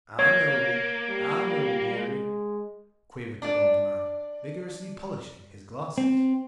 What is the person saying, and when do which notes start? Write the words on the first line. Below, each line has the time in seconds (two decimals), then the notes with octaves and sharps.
"I know--I know, dearie," quavered the old man, vigorously polishing his glasses.
0.19 A#3 C#5 G#6
1.09 G3
1.92 G#3
3.42 D4 D5
5.98 C4